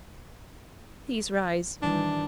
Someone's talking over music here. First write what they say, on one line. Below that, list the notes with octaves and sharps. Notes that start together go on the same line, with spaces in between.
Please rise.
D#3 E3 G3 D4